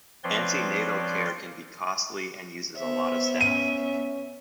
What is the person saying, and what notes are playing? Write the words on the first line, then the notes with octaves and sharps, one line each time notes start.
Antenatal care can be costly and uses a lot of staff.
F3 C4 B4 C#5 D5 C6
B3 C5 E5
C#4 D#7